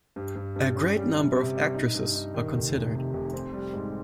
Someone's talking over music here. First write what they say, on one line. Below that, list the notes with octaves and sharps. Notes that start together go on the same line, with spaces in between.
A great number of actresses were considered.
G2
G2
G2
C#4
G3
C3
C3
G3
D#4
G2
D#4
D#3
F1
F1
C3
F1
C4
G3
G#2